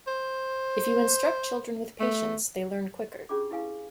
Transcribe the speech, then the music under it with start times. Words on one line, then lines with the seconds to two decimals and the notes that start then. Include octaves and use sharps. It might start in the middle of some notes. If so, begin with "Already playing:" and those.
If you instruct children with patience, they learn quicker.
0.07 C5
2.00 A3
3.29 C#4 D4 F4 G4 G#4 D6
3.51 E4 G4 B4 F5 G#5